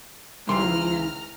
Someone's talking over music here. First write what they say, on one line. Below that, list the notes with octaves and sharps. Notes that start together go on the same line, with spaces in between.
Oh, man.
C#2 D#3 E3 C4 E4 A#5 C6 F6